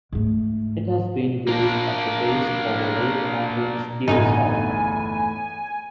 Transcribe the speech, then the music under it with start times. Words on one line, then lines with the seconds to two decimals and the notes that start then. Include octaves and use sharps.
It has been used as a base for the Lake Mountain ski resort.
0.12 G#2 A3
1.47 A#3 D4
4.08 G1 E2 A2 D#4 G#5